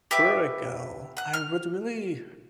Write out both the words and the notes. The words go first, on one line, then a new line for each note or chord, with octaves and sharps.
where would I go? I would really
G4 B4 E5 D6
F#5 F#6
F6